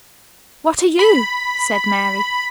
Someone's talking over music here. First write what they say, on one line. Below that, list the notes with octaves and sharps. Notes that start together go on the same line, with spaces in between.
"What are you?" said Mary.
B5